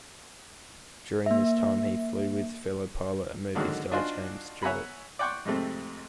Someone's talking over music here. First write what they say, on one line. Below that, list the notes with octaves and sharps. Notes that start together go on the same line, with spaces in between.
During this time, he flew with fellow pilot and movie star, James Stewart.
A#3 E5
G#2 D3 D#3 F#3 G#3 F#4
D4 D#4 F4 F#4 C5 G#5
C#5 E5 F#5 G#5 A#5 B5
D5 F#5 G5 C6 C#6
F2 G#2 C3 A3 C4